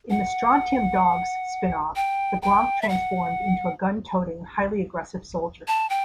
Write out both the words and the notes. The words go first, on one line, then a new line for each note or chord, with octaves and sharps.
In the "Strontium Dogs" spinoff, the Gronk transformed into a gun-toting highly aggressive soldier.
F#5
G5
G5
E5
F#5
A5
G5